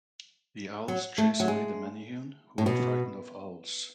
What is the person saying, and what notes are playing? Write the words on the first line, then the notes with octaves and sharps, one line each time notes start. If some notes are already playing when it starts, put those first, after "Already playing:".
The owls chase away the Menehune, who are frightened of owls.
F#3
A3
F#3
G#3
A2
B2